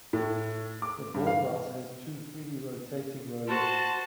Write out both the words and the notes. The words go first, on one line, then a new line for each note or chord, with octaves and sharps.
The ball mouse has two freely rotating rollers.
A2
D6
G2
F5
F#4 C5 A5